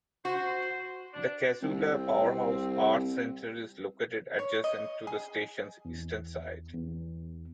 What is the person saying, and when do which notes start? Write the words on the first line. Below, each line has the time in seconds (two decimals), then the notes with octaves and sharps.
The Casula Powerhouse arts centre is located adjacent to the station's eastern side.
0.25 F#4 C5
1.13 D4
1.63 C2 C4
4.39 C#5
4.64 D#5
5.07 G#4
5.85 E2
6.74 E2